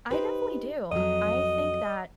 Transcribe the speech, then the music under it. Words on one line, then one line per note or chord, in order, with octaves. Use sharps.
I definitely do. I think that,
D#4 G4 B4 C5
F2 F#3 D#5